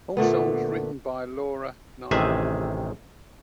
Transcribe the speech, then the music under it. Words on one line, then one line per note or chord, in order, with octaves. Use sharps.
All songs written by Laura Nyro.
A#2 D3 A3 B3
A1 C3 D#3 G#4 E5 G#5